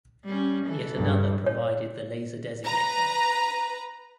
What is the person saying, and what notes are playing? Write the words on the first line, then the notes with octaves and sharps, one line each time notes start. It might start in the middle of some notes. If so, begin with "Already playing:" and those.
Yet another provided the laser designator.
G3 C#4
E3 A4
G2
C#5
B4 A#5